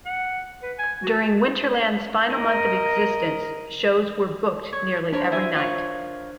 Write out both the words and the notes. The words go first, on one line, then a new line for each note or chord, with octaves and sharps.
During Winterland's final month of existence, shows were booked nearly every night.
F#5
B4
G#5
F#4
A#4 D#5
C#5
D4 A#4 C5 C#5 B5
E4 E5 G#5
F4 A#4 C#5